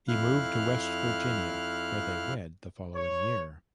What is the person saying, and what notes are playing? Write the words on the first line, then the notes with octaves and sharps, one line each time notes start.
He moved to West Virginia, where they wed the following year.
F2 E4 F5 F6 F#6
C#5